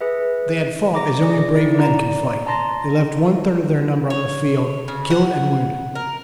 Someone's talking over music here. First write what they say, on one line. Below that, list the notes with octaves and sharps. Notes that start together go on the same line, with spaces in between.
They had fought as only brave men can fight; they left one-third of their number on the field, killed and wounded.
G#4 B4 E5
A#5 D6 A#6
G#4 D5
E4
D5 A#5
A5 A#5 C6 A6 A#6
C#5
C#3
F#5
A#4